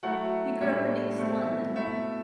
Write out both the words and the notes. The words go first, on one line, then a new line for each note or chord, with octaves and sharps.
He grew up in East London.
F#3 A3 E4 F#5
A2 G3 D4 E5
B2 A3 C4 E4
B2 A3 E4 E5